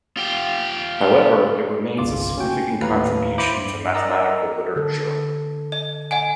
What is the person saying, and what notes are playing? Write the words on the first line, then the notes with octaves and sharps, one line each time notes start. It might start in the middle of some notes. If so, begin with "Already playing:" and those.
However, it remains a significant contribution to mathematical literature.
F4 G4
G1 C2 C#3 F4 D6
C#4 F#4 G5
D#2 A2 B4 F5 A#5
E4 C5 B5 D6
G2
A#4 D5 D#5 F#5 A#5 E6
D3 A4
D#5
D#5 F#5 G#5